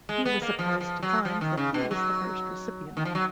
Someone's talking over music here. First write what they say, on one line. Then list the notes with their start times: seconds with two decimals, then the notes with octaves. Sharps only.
He was surprised to find that he was the first recipient.
0.09 G#3
0.25 B3
0.42 A#3
0.59 F3
0.81 F3
1.03 F#3
1.25 F3
1.41 D#3
1.58 C#3
1.74 B2
1.91 F#3
2.97 D#3
3.05 F3
3.15 F#3